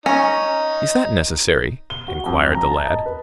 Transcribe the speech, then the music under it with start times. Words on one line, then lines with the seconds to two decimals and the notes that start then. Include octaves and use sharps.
"Is that necessary?" inquired the lad.
0.06 C#4 D#4 A#5 C#6
1.90 G7
2.08 F#4
2.26 F2
2.55 A#5
2.71 A5
2.85 D#5
3.06 B4